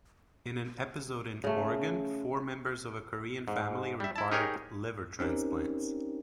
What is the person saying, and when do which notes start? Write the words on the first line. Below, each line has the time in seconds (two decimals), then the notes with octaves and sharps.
In an episode in Oregon, four members of a Korean family required liver transplants.
1.44 C#3 A3
3.48 G#2
4.00 G3 E5
4.16 E4 A5
4.32 D#4 G4 G#4 A#4 C#5
5.20 C4 C#4 D#4 G4 A#4